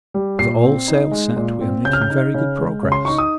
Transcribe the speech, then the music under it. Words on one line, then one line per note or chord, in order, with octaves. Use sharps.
With all sail set we are making very good progress.
G3
A#2 C7
C4
D#4
G#3
A#2
C4
C#3 G6
F6
G6
D#4
C#3
G#3
C#3
C6
D#4 C#6
D#6